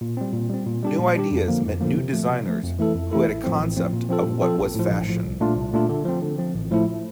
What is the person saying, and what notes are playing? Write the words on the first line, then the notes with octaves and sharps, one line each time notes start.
New ideas meant new designers who had a concept of what was fashion.
A#2
G3 C4
A#2
G3 C4
A#2
G3 D4 G4
A#2
G3 D4 G4
F2
D3 F3 A#3
F2
D3 F3 A#3
C3
F3 A3
C3
F3 A3
F2
E3 A3 E4 A4
F2
E3 A3 E4 A4
A1
A2 F3 C4
A1
A2 F3 C4
A#2
F3 C4 F4 A4
A#2
F3 C4 F4 A4
A#1
A2 F3
A#1
A2 F3
C2
A#2 A3 D4 F4
C2
A#2 A3 D4 F4
D3
F3 C4
D3
F3 C4
A1
A2 F3 A3 E4